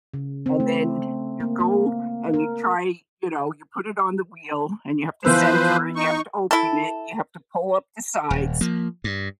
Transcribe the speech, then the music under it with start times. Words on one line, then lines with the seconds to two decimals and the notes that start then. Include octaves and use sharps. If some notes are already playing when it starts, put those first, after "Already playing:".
and then, you go and you try, you know you put it on the wheel and you have to center it, you have to open it, you have to pull up the sides,
0.14 C#3
0.46 C4
0.60 A3
1.40 A#3
1.60 A#3
2.34 A#4
5.25 E3 F3 B3 B4 C5 E6
5.96 D#4 C#6
6.51 E4 A4
8.30 D#1
8.61 F3 A#3
9.04 G2